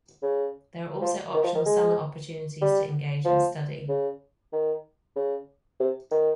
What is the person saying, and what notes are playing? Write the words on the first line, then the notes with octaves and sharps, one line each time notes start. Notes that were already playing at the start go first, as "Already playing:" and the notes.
There are also optional Summer opportunities to engage in study.
C#3
F3
D#3
F3
D#3
G#3
G3
F3
C#3
D#3
C#3
C3
D#3